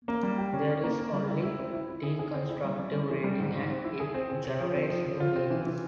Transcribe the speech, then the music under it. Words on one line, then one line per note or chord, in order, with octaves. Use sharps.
There is only deconstructive reading and it generates new meanings.
A#3
G3
G4
C#4
C#4
A#3
A#4
G3
E4
E4
C4
E4
E4
G#4
G#4
C4
E4
G3
G3
C#4
E3
G3
G#2
G#2
C4
E4
G#4
C4
C4
C4
F3
C4
F3
F3
F4
C4
E3
E3